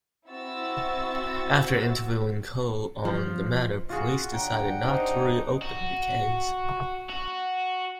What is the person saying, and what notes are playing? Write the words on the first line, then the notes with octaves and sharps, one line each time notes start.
After interviewing Cole on the matter, police decided not to reopen the case.
C4 E4 F#4 E6 A6
F3
F4 F#4 G#4
C#3 C#4 D4 F#5 G5 A#5
D4 D#4 F#4 G4 C5
F#4
F#4